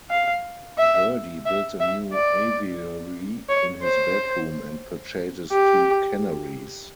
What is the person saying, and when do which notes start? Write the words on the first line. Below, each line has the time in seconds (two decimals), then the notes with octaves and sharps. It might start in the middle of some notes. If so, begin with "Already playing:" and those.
Birdy builds a new aviary in his bedroom and purchases two canaries.
0.10 F5
0.78 E5
1.46 E5
1.80 E5
2.13 D5
3.49 C#5
3.83 C5
5.52 G4